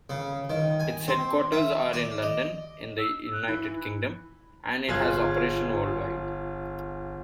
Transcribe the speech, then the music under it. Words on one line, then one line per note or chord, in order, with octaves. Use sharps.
Its headquarters are in London in the United Kingdom and it has operations worldwide.
C#3
D#3
G#5
C4
E5
D5
D#5
E6
F#6
E3 B5
G1 F4 G#4 F#6 G#6